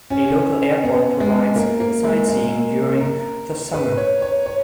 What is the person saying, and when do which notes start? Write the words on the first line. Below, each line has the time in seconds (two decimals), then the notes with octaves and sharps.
A local airport provides sightseeing during the summer.
0.10 C#4
0.83 B3
1.20 G#3
1.56 A#3
1.80 A#3
2.04 G#3
2.28 A#3
3.01 A#4
3.74 B4
3.97 C#5
4.22 C#5
4.46 C#5